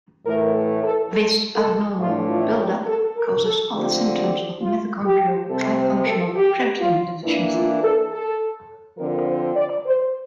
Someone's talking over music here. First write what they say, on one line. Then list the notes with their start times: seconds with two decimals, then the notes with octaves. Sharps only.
This abnormal buildup causes other symptoms of mitochondrial trifunctional protein deficiency.
0.24 A2 E3 A3 A#4
0.53 A4
0.83 A4
1.12 A4
1.56 A4
1.99 A2 E3 A3 D4 F4
2.29 F4
2.58 G4
2.87 A4
3.16 A#4
3.45 A4
3.74 D3 F3 C4 G4
4.17 G4
4.61 F4
5.04 G4
5.48 C3 G3 C4 A4
5.78 C5
6.07 A4
6.36 G4
6.80 F4
7.23 E3 A#3 D4 E4
7.52 F4
7.81 A4
8.11 A4
8.97 D3 F3 C4 A#4
9.26 C5
9.56 D5
9.85 C5